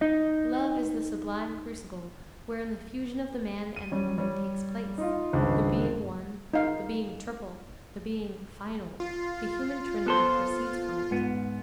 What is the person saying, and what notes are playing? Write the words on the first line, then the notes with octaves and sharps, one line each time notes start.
Love is the sublime crucible wherein the fusion of the man and the woman takes place; the being one, the being triple, the being final, the human trinity proceeds from it.
D#4 D#5
D#7
G3 C#4
G3 C#5
D#4 F4
G#1 C#2 G2
D#4 F5
F4
B3 A4 C5
G#2 B3